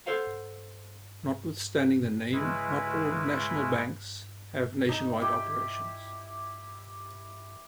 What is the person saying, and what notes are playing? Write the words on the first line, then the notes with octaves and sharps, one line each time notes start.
Notwithstanding the name, not all "national banks" have nationwide operations.
A4 C5 F5 F#5
C#3 G#3 E4 B4
D#4
E4 G4 G5